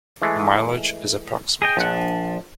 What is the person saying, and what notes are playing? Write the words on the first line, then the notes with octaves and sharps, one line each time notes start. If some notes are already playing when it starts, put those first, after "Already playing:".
Mileage is approximate.
E3 G#3 A3
G#4 D#5 G5
A#1 F3 D4 F#5